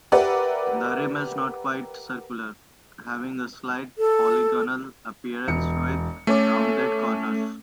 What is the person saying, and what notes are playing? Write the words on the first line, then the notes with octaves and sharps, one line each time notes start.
The rim is not quite circular, having a slight polygonal appearance with rounded corners.
G4 A#4 B4 D5 E5 F#5
A4
E1 C#7
A3 C#4 A4 C#5 D6